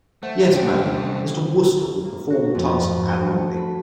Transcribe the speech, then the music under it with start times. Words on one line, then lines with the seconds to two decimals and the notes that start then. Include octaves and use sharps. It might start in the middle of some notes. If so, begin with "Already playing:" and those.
Yes, madam, Mr. Wooster would perform the task admirably.
0.23 A3 C5 F#5
0.54 C2 D3 C#4 C5 G5
2.05 A#3
2.30 F#4
2.55 F2
2.81 G#2
3.06 F#4
3.25 A3
3.57 B5